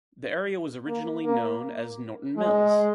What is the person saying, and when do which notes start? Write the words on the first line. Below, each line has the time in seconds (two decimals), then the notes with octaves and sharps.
The area was originally known as Norton Mills.
0.87 A#3
1.25 A#3
2.37 G#3